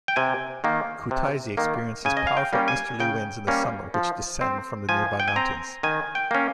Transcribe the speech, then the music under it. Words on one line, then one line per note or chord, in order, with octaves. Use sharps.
Kutaisi experiences powerful easterly winds in the summer which descend from the nearby mountains.
G5
C3 G#5
D#3 A#3
C3
D#3 A#3
C#3 G#5
D#5
F5
G5
G3 A#3 C#4
G#5
C#3 G5
G3 A#3 C#4
F3
C4
F3 G#5
G5
G#5
C4 A#5
D#3 G#5
G5
A#3 C#4